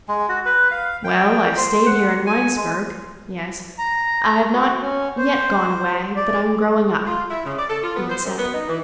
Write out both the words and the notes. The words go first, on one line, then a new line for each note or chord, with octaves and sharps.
"Well, I've stayed here in Winesburg--yes--I've not yet gone away but I'm growing up," he had said.
G#3
F#4
B4
F5
G5
C5
F#5
G#5
G#3
A#5
F#4
C#4
C5
D5
F4
E4
C#3
D5
A4
F4
B3
C5
F#2
B3
D#4
E3